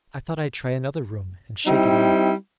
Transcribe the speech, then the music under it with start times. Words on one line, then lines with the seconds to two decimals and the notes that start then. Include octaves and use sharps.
I thought I'd try another room, and shake it off.
1.65 G3 C4 D#4 E4